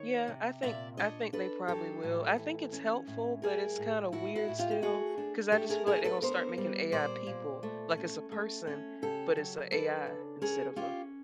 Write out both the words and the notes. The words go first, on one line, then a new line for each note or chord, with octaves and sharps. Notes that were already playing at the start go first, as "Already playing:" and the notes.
Yeah, I think I think they probably will. I think it's helpful, but it's kinda weird still, 'cause I just feel like they're going to start making AI people like it's a person, but it's a AI instead of a
Already playing: D#3 C#5
C3
A#2 D5 E5
D4 C#5 D#5
D4 A4 B4
F#3 G4 A4
A2
E3
C#4
A2
G3 G#4 A#4
A2
A2 E4 F#4
E4 F#4
A2
F4 G4
G4
A3 F#4 G#4
D4
A3 G4 A4
G#4 A#4
D4 G#4 A#4
A4 B4
B3 A#4 C5
G3
A#2 C5 D5
A#2
A3
C#4
A3
C#4
C#3 G4 A4
F#3
D4 A4 B4
C#3
C#4 G#4 A#4
C#4 F4 G4